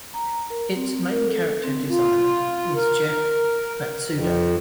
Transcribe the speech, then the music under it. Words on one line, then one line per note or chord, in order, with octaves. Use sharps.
Its main character designer is Jeff Matsuda.
A#5
A#4
C4
A#4
A4
C4
F4
A#4
F2